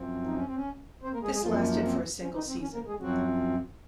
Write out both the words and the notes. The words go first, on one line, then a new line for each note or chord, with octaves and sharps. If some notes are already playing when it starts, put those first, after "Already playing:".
This lasted for a single season.
Already playing: F#2 F3 C4
D#4
C#4
C4
C#4
C4 C5
A#3 A#4
G#3 G#4
G#3 G#4
F#2 F3 A#3 F4
C4
C#4
D#3 D#4
C4
C#4
D#3 D#4
C4
C#4
A#3 A#4
G#3 G#4
F#2 F3 F#3 C4 F#4